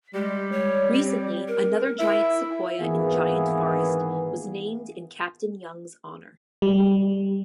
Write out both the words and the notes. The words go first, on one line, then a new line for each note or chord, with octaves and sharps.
Recently, another giant sequoia in Giant Forest was named in Captain Young's honor.
G3 G#3
C#5
C4
A#4
E4 E5
G#1 E3 A#3 B3 G#4
G3